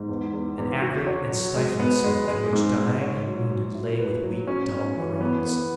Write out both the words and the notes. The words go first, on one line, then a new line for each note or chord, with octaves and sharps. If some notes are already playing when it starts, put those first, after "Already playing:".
An acrid and stifling smoke in which dying and wounded lay with weak, dull groans.
Already playing: G#2
E2
E2
E2
F#4
C#5
F#3
G#3
B3
G#3
G#3
G#2
G#2
C#5
F#3
F#3
E4
B4
F#3
C#4
C#4
E3
B3
B3